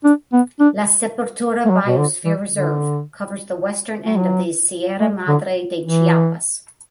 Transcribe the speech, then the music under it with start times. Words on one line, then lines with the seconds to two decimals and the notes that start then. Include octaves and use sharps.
La Sepultura Biosphere Reserve covers the western end of the Sierra Madre de Chiapas.
0.04 D4
0.33 B3
0.60 D4
1.66 A3
1.70 F#3
1.86 B2
1.97 D3
2.25 E3
2.52 D3
4.05 A3
4.17 F#3
5.00 A3
5.28 D3
5.82 E3